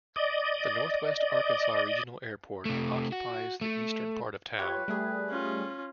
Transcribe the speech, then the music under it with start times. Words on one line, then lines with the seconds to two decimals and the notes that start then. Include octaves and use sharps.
The Northwest Arkansas Regional Airport occupies the eastern part of town.
0.16 D5 D#5
2.65 C3 A3
3.12 F#4
3.61 A3
4.58 F4 G4 B4 C#5
4.88 G3 A3 G#4
5.29 C#4 F4